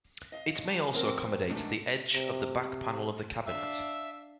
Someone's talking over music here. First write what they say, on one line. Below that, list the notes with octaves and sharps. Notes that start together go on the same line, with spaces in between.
It may also accommodate the edge of the back panel of a cabinet.
D#5 F5
D4
F3 B3 C4 A#4 C5
F#2 B2 D#3 G#3 A3 D4
C3
D4 E5 F5